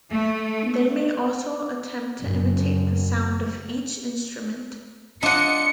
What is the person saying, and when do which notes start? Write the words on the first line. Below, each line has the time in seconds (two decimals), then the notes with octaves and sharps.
They may also attempt to imitate the sound of each instrument.
0.10 A3
2.21 F#1 F#2
5.23 D4 F4 D#5 F#5 C#7